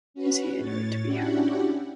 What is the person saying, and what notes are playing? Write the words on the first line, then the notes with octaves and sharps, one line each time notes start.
Is he anywhere to be heard?
C#4 F#4 B4
A2 C#5 A6
C#4 D4 E4 F#4 G4 F#5